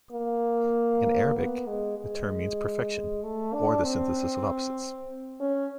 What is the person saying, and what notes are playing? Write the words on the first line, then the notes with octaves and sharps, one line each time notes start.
In Arabic, the term means "perfection", or the "synthesis of opposites".
A#3
B3
G#3
G#3
A3
D4
C4
C#4